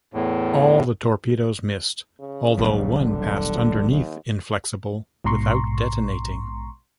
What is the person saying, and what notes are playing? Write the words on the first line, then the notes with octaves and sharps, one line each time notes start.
All the torpedoes missed, although one passed underneath "Inflexible" without detonating.
E2 A2
C#3
D#1 B1 G3
D3
D#2
A#1 G#2 B2 A#5 C6 C#6